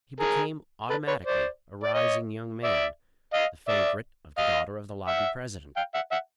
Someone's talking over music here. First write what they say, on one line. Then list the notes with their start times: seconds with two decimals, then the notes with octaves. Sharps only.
He became automatically a rising young man, the favorite of the daughter of the Lobby president.
0.20 G#4 A#4
0.90 A4 B4
1.08 B4 C#5
1.25 C5 D5
1.83 D5
1.94 C#5 D#5
2.64 D5 E5
3.33 D#5 F5
3.68 D5 E5
4.38 D#5 F5
5.07 E5 F#5
5.77 F5 G5
5.94 E5 F#5
6.11 E5 F#5